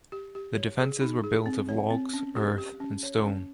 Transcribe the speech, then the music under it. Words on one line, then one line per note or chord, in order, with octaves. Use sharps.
The defences were built of logs, earth, and stone.
G4
G4
C#5
G#4
D#4
G#4
C4
C#5
C4
C#4
G4
G4
C#4
C#5
C#4